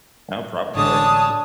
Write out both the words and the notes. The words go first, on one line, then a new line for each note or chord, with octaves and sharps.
Oh, probably.
A1 D3 G#3 D4 C#5 A5 D#6